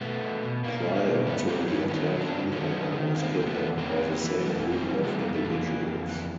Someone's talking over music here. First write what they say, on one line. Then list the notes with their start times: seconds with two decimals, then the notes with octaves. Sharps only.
Prior to the attack the owner was kidnapped by the same group of individuals.
0.01 B2 A3 B3
0.22 B2
0.43 B2
0.64 B2 A#3
0.85 G3
0.95 A#3
1.06 B2
1.26 G2 A3 B3
1.48 F#3 A#3 C4
1.68 G2 B3 C#4
1.89 D#3 B3 C#4
2.10 F#3
2.21 C4 D4
2.31 G2
2.52 D#3 B3 C#4
2.73 D#3
2.94 D#3
3.15 E2 A#3 C4
3.35 E2 C4
3.46 A3 B3
3.57 E2
3.77 F2 A#3 C4
3.98 E3
4.19 E3
4.40 F2 A3 B3
4.61 E3
4.72 A#3 C4
4.82 G3
5.03 C3 A3 B3
5.19 A#3
5.24 F2
5.34 A3
5.45 E3
5.50 A#3
5.66 E3
5.86 F2
6.07 E3